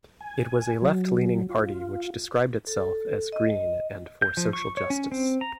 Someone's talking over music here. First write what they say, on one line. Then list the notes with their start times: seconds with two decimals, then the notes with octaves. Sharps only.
It was a left-leaning party which described itself as green and for social justice.
0.20 G#5
0.82 F#3
1.49 F4
2.67 A4
3.32 D#5
4.22 G6
4.37 F3
4.53 C#6
4.77 C#5
4.90 C#4
5.12 C4
5.41 A#5